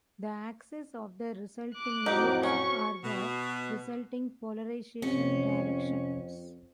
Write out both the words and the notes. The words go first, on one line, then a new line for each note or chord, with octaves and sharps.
The axes of the resulting ellipse are the resulting polarization directions.
D6 F#6
F2 A2 F#3 D#4 F#4 G4 C5
C#4 C#6
B2
F2 C3 C#4 C#7